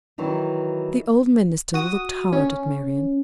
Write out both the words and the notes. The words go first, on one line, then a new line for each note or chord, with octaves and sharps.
The old minister looked hard at Marian.
D#3 E3 F#3
F#4 D#6
C#4